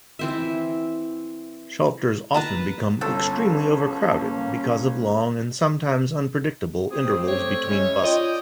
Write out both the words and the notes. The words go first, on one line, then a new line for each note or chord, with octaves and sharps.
Shelters often become extremely overcrowded because of long and sometimes unpredictable intervals between buses.
E3 C4 E5
B4 A5 A#5
G1 C#4 A4 A5
A#3
A3 C4 G4 G#4
C#5
G#3 C#4 E4 C#5
F4 D5 D#5 G5